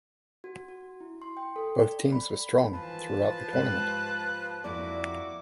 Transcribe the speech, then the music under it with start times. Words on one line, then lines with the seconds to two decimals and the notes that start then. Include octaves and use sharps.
Both teams were strong throughout the tournament.
0.44 F#4
0.68 F#4
1.00 E4
1.22 C6
1.37 G5
1.56 A4
1.81 D5
2.12 B5
2.30 B5
2.73 D#2 G#2 E3 F3 B4 A5
3.53 G#2 G4 F#6
4.64 F2 A#3 E4 F#4 D5 D6